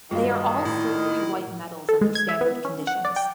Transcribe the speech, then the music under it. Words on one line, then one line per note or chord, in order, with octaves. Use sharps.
They all are silvery-white metals under standard conditions.
G2 A#2 D3 D#3 G#3 F4 F#4 F5
A2 E4
A4
G#3
G#6
E5
B3
C#4
F#5
D5
G5